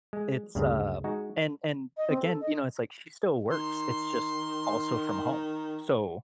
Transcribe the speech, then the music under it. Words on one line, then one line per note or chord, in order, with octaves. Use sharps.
It's, uh, and and, again, you know, it's like she still works, it's just also from home. So,
G#3
D2 G2 C#3
G#3 D#4 F#4
D#5
C4
A4
D#5
D#3 C6